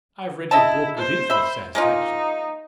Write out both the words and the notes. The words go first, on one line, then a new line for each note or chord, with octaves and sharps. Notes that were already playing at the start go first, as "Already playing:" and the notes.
I have read your book with infinite satisfaction.
E4 D#5 E5 A5
C5
E5 B5
G#3 A#3 D#4 F4